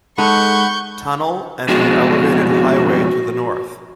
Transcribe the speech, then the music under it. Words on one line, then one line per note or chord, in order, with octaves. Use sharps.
Tunnel and the elevated highway to the north.
G#3 D#4 A4 F#5 B5 C#6 G6
F2 B2 G#3 F#4